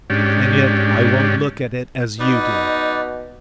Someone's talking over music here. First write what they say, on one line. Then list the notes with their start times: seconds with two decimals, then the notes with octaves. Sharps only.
And yet I won't look at it as you do.
0.10 G#2 C#4 D4 G4
2.20 B2 D#4 B4 D5